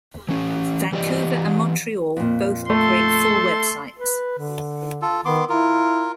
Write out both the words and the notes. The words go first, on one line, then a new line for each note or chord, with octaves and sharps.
Vancouver and Montreal both operate full websites.
E3 C#4
E3 G4 A#4 D5 D#5
F2 A#2
A3 A4 C6
B4
D3
F4 A4
D#3 B3 C6 D6
E4 F4 A#4